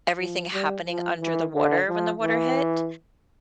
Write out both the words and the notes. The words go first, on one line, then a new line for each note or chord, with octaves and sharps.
everything happening under the water when the water hit.
F3
G3
F3
E3
D3
F3
E3